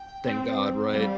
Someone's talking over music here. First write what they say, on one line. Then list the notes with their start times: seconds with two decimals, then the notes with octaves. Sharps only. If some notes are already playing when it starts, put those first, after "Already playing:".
Thank god, right?
Already playing: G5
0.27 C4
0.94 G3 F5